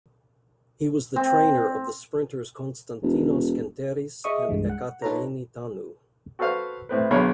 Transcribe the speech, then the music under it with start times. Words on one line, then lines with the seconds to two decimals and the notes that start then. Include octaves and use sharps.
He was the trainer of the sprinters Konstantinos Kenteris and Ekaterini Thanou.
1.16 C4
3.03 E1
4.24 G#4 D#5 E5 C#6 D#6
4.49 C2 G2 E3 G3 G#3
4.69 F#5
5.02 D#4 F4 A4 B4 C#5 A#5
6.39 F#4 A4 B4 C5 F5
6.89 A2 C4 B4
7.11 B1 D3 G#4 C#5 F5 B5